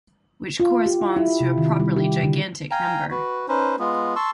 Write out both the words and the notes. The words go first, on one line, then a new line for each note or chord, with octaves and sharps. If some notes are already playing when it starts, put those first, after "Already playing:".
Which corresponds to a properly gigantic number.
F4
G4
E4
E4
C3
D#3
G3
G4
D3
F5 G5 G#5 A#5
F#4 B4
C#4 D#4 B4 C5
G#3 B3 F4
A5 C6 C#6 E6